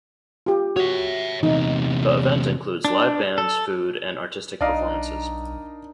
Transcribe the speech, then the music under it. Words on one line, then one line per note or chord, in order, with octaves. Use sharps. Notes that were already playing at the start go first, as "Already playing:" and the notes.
The event includes live bands, food, and artistic performances.
F4 G4
F#4 C#5 E5
E2 C3 D#4
D4
A4
B1 D4 D#4 A#4 D5 D#5 F5